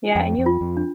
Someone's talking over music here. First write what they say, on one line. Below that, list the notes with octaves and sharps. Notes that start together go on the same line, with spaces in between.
Yeah, and you'll
F2 G5
F2
F4
F2
D4